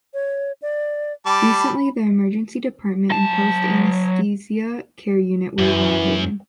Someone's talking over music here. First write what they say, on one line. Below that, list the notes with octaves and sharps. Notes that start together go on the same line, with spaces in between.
Recently the Emergency Department and Post Anesthesia Care Unit were renovated.
C#5
D5
G3 A5 B5 D6
F#3 A5
F#2 E3